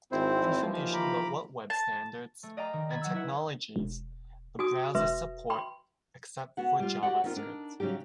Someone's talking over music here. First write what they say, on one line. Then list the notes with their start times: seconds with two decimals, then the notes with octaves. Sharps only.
Information about what web standards, and technologies the browsers support, except for JavaScript.
0.12 G#1 C4 E4 C5
0.62 D#2 E3 F3
0.94 A#5 B5 D6
1.70 A5
2.43 A3
2.57 D5 D#5 F5 G5 A#5 D6
2.73 D#3
2.90 B5 G#6 A6
3.01 F#3 F#5 E6
3.14 E4 B4 E5 F#5
3.76 E1
4.59 F#4 G#5 D#6
4.95 E1 B4 E5 C6
5.50 G5 B5 C6
6.57 B3 F#4 F#5
6.79 G3 F4
7.03 F#4 G4 D5 F#5
7.24 B3 C4 D#4 F4 A#4
7.36 D4 D#4 A#4
7.80 C#3 F#3 G3 D#4 G4